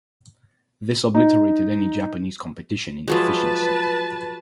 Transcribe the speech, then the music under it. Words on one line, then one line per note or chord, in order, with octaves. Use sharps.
This obliterated any Japanese competition in the fishing sector.
D#4
F3 F#3 G#3 B4 A5